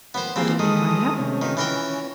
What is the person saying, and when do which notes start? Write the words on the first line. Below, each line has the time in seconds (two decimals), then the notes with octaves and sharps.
I don't think I have.
0.14 D#2 F3 B3 C5
0.36 A#2 C4 G4 G#4
0.59 D#3 G#3 G4 A4 B4 D#6
1.18 C3 A3 C#4
1.42 D#3 F4 B4
1.57 E3 C#4 A#4 G5